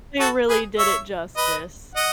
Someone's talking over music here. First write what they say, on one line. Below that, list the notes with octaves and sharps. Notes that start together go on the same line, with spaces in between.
They really did it justice.
F#4 A4
G#4 B4
C#5 E5
B4 D#5
D#5 F#5